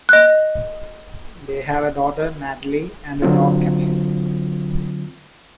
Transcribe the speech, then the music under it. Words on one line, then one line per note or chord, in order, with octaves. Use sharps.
They have a daughter, Natalie, and a dog, Camille.
D#5 F#6
D3 F#3 C4 F4